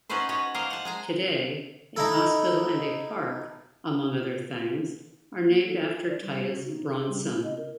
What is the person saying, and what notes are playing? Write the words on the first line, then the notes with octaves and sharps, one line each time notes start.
Today, a hospital and a park, among other things, are named after Titus Bronson.
C#4 D#4 F#4 B4 C5
F#4 B4 C#5 D#5
A#3 A#4 C5 D#5 F5
F#5 A5
G#3 G#5 A#5
D#4 E4 A4
A#3
A4
F4
D5
G3
F#4
D#4
G#4
G3
E4
D#5
A#4